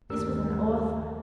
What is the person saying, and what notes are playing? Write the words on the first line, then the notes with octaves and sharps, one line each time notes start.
This was an author.
G1 D#2 A3 G4 A#4 E6